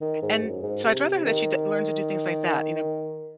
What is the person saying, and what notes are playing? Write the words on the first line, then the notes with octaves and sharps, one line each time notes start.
and so I'd rather that she'd that learn to do things like that. You know?
D#3
G#2
F#2
G#2
C3
D#3